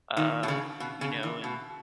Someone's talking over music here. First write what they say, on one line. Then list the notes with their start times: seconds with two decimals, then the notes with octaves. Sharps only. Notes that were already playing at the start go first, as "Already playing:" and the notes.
uh, you know and
0.17 D#3
0.43 B2
0.48 C#3
0.80 B2
1.01 C#3
1.23 E3
1.44 B2